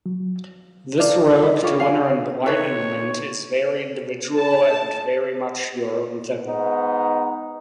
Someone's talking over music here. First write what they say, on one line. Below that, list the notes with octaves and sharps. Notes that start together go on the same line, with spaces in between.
This road to inner enlightenment is very individual and very much your own thing.
F#3
D#4 A4 D5 F5
B4 D#5
F4 G4 C#5
C#4 F5 F#5 G#5
D#4 A4 B4 C#5
A5
G#2 B3 D#4